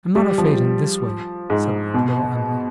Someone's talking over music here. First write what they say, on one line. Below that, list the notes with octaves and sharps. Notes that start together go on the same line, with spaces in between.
'I'm not afraid in this way,' said little Em'ly.
G3
F3
G#2
B2